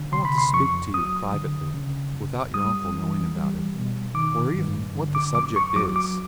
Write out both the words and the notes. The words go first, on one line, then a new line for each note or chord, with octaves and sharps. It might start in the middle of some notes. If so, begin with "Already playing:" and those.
I want to speak to you privately without your uncle knowing about it, or even what the subject is.
Already playing: D3
C3 C6
B5
C6
F2 C#6
F#3 D#6
D3
C#3
F#2
G3 D#6
E3
G3
B2
D#3 D6
G2
D3
D6
F#2 D6
C#6
F#3 D6
D6